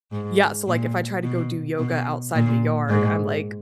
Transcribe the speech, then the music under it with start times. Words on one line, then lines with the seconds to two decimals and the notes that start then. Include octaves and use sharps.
yeah, so like, if I try to go do yoga outside in the yard, I'm, like,
0.12 G#2
0.67 A#2
1.23 B2
1.78 B2
2.34 A#2
2.89 G#2